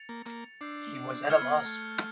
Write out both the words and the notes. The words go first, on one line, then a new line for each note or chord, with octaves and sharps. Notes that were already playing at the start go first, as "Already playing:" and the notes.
He was at a loss.
Already playing: A6 C#7 F7
A#3
A#3
D4 E6 G6 C7
E4 F6 G#6 C#7
B3
A#3
A3